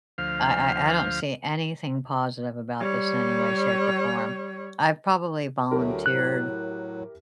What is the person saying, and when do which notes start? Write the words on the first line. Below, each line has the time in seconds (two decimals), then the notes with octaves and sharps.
I I I don't see anything positive about this in any way, shape, or form. I've probably volunteered
0.18 D2 F3 C5 F5
2.80 G3 C#5
5.71 D2 F#3 A3 E4 G4 A#4
6.06 A2 F#3 F#6